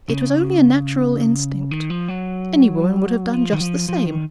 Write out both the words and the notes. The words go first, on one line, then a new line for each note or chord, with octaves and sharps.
'It was only a natural instinct; any woman would have done just the same.
C#3
D#3
F3
F#3
F3
D#3
F3
F3
D#3